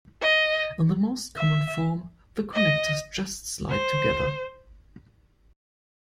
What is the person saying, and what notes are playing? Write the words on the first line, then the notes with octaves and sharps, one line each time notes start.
In their most common form the connectors just slide together.
D#5
E5
D#5
C5